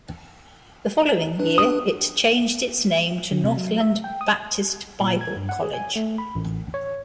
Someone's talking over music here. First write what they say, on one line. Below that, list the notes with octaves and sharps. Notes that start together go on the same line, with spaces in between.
The following year, it changed its name to Northland Baptist Bible College.
D4 B4
D#6
D3
C3
F#3
E5
G5
D#6
A#2
G#6
G2
F#5
G#4
G#5
A3
B5
A1
C#5